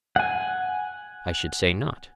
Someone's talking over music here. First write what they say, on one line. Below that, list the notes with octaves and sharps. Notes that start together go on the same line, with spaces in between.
I should say not.
F#5 G#5